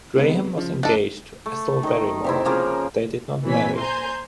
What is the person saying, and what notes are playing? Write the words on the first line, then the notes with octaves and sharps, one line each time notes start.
Graham was engaged to Ethel Barrymore, but they did not marry.
C3 G#3 B3
C#3 F3
F#2 D4 A4 D#5 A6
A3
D#3 D#5
C3 C4 E4
C#3 F3 A#3 F5
A#2 E3 C4 C#5 G#5 B6
C5 G#5 A#5 C6 G6